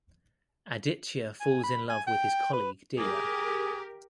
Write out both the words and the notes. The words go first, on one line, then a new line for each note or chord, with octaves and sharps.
Aditya falls in love with his colleague Diya.
G#5
B5
G#5
G5
B4
G4 G#4 A#4 D6